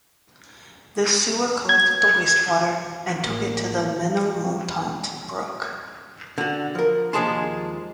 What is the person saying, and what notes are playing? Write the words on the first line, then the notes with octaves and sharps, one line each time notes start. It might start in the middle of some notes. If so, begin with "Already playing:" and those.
This sewer collected the wastewater and took it to the "Menilmontant brook".
G#6
A1 A#3
D3 F#4
F3 A#4
D#2 F3 G#3 G#4 A5 C6